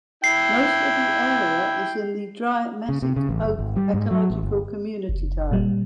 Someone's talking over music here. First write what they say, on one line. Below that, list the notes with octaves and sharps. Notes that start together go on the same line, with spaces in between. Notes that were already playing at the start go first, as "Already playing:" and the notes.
Most of the area is in the Dry Mesic Oak ecological community type.
E4 G5 C7
C#3
C3
C#3
A1
F#1
G#1
G3
G#2
F#3
A1
G1
F#1
A#2 G3